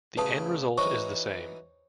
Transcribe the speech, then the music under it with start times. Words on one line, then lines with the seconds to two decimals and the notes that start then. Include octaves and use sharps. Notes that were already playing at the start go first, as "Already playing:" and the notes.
The end result is the same.
0.17 A1 C#3 B4 A5 B5 D#6
0.78 E3 D#4 F#4 C5 C#5 C#6